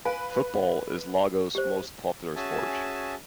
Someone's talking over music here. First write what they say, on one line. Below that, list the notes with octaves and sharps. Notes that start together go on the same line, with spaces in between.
Football is Lagos' most popular sport.
B4 F5 G#5
G4 C5
C#4 F#4 G#4 E5 G#5 A5